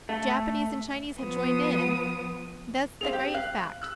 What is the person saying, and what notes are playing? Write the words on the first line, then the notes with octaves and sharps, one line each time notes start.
The Japanese and Chinese have joined in. That's the great fact.
A3
F3 B3 D#6
C4 G#4 F5 F7
G4
F5 F#6
E6 F#6